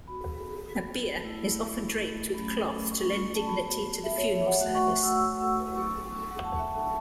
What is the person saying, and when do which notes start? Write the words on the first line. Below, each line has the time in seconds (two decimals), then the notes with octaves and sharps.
A bier is often draped with cloth to lend dignity to the funeral service.
0.07 B3 F#4 B5
1.20 A3 E4
2.34 F#3 A3 C#4 B5
2.91 C#6
3.36 A5
3.47 B3 F#4 B5
4.04 E5
4.18 C#5
4.33 E5
4.46 F#5
4.60 A3 F#4 F#5
4.75 C#6
4.89 C#6
5.03 E6
5.17 E6
5.73 F#3 B3 E4 C#6
6.31 F#5
6.45 A5
6.59 E5
6.73 A5